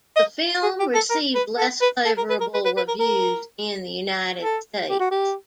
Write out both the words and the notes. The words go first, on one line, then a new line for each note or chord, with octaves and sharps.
The film received less favourable reviews in the United States.
D#5
G#4
G4
A4
A#4
B4
A4
B4
A4
A#4
B4
A#4
B4
B4
B4
A#4
A#4
A4
G4
F#4
G4